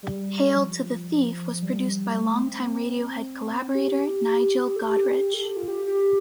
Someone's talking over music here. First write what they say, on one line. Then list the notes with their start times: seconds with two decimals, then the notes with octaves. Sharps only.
"Hail to the Thief" was produced by longtime Radiohead collaborator Nigel Godrich.
0.03 G3
0.55 F3
1.62 G3
2.15 A3
2.42 C4
3.75 G4
4.76 A4
4.81 G4
5.34 A4
5.45 G4
5.57 F4
5.68 G4
5.87 G4